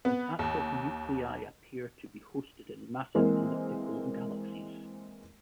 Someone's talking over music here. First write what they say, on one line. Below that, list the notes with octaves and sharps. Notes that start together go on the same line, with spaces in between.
These active nuclei appear to be hosted in massive elliptical galaxies.
B3
D#2
E3 G#3 A#3 C4